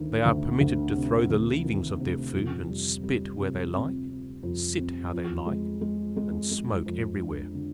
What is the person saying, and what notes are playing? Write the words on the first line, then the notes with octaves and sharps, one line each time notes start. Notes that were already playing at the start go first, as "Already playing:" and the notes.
They are permitted to throw the leavings of their food and spit where they like, sit how they like and smoke everywhere.
Already playing: D2 D#3
D2
D2
C3
D2
D#3
C3
F2
G3
G3
C3
C4
C4
F2
C4
F2
G#3
G#3
G#3
G#3
F2
D4
D3